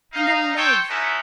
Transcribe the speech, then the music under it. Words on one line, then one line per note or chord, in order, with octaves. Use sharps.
And the legs!...
D#4 F5
A4 C5 C#5 G5
B3 C#4 D#4 E4 F#4 A4